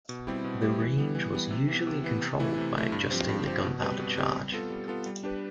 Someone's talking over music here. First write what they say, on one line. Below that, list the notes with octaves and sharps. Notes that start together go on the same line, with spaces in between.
The range was usually controlled by adjusting the gunpowder charge.
B2
G3 C4 E4 G4
B2
G3 C4 E4 G4
E3
G3 B3
E3
G3 B3
C3
E3 B3
C3
E3 B3
C3
E3 A3 E4
C3
E3 A3 E4
G2
F3 C4 G4 C5
G2
F3 C4 G4 C5
B2
G3 C4 G4 B4
B2
G3 C4 G4 B4
G3
B3 F4 A4
G3
B3 F4 A4
G3
D4 G4 B4